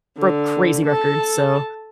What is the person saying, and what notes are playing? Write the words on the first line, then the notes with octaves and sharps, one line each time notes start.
broke crazy records, so
D3
A4 A5